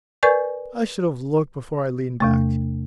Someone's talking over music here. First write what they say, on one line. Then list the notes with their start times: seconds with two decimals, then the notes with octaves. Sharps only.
I should have looked before I leaned back.
0.23 A#4 B4 D5 G#5 C#6 G6
2.20 E2 C3 A3